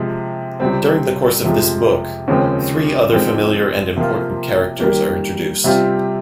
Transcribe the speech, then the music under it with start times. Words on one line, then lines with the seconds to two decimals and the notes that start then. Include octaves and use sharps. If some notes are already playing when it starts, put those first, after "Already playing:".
During the course of this book, three other familiar and important characters are introduced.
Already playing: C3 F3 G#3
0.60 C#2 C3 G3 C4
1.44 F2 C3 F3 G#3
2.28 D#2 C#3 F3 G#3 C4
3.12 F3 G#3 C4 D#4
3.97 C3 F3 A#3 F4
4.80 D#3 G3 A#3
5.64 C3 G3 C4 F4